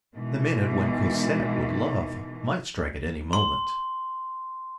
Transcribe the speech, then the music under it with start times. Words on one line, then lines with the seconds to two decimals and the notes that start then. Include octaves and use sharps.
The minute when Cosette would love might strike at any moment.
0.15 B2 D#3 E3 G#3
3.33 C6